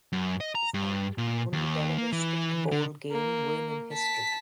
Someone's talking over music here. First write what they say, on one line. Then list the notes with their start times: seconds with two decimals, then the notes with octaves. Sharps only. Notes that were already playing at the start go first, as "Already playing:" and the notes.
It is currently the only Delaware State bowl game win in history.
0.13 F#2
0.40 D#5
0.55 A#5
0.74 G2
1.18 A#2
1.53 D#2
1.98 A#3
2.12 E3
2.72 D3
3.12 A#3
3.93 A5 B6